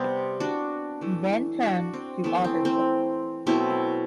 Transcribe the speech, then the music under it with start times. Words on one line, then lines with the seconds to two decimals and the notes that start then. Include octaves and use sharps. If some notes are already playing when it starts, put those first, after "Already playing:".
He then turned to authorship.
Already playing: C3 G3 B3 C4
0.40 D4 F#4
1.01 E3 A3
1.62 D4 F#4
1.93 C4
2.24 E3 A3 B3
2.44 C4
2.65 C4
3.47 B2 F#3 A3 C4 E4